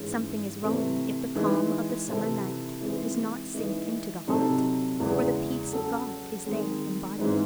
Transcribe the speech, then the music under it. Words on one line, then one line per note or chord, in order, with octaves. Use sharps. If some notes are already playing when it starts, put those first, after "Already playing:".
Something is wrong if the calm of the summer night does not sink into the heart, for the peace of God is there embodied.
Already playing: G#2 E3 G#3 C#4
C3 E3 A3 C4
E3 G#3 D#4
C3 E3 C4 E4 A4
E3 G#3 C4 D#4
E3 G#3 D#4
C3 F#3 C4 D#4 A4
E2 C#3 E3 G#3
F#3 C#4 F#4 A4
D#3 G#3 C4
G#2 E3 G#3 C4 D#4